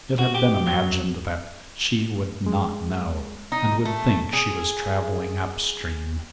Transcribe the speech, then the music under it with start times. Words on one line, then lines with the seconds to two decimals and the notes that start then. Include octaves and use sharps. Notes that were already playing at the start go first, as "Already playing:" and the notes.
It had been imagined that she "would not know," and would think she was traveling upstream.
0.19 F#4
0.35 G4
0.67 F#3
2.46 G#3
3.52 D#4
3.85 A3
4.33 G#4